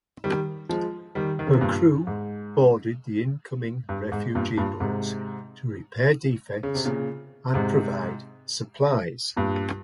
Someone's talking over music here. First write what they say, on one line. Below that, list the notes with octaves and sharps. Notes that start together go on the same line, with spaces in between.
Her crew boarded the incoming refugee boats to repair defects and provide supplies.
D#3 G3
F3 G#3
D#3 G3
D#3
C#3
C3
G2 A#2
G#2
G2
G#2
G2 A#2
G2 A#2
G#2 C3
C#3
C3
A#2 C#3
G#2 C3
G2 A#2